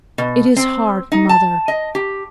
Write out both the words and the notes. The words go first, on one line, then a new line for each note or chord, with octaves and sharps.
It is hard, mother.'
B2
C4
D#4
A5
D#5
G4